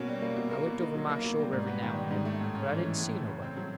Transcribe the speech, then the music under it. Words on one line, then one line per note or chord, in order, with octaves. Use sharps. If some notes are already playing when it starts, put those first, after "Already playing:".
I looked over my shoulder every now and then, but I didn't see nobody.
Already playing: B2 A#3 C#4
G3
A#3
B2
A#3
B2
D#4
F#3
A#3
B2
G3
G#2
B3
D#3
G3
G#2
A3
A2
C#4
E3
A3
A2
A3
C#3
C4
F#3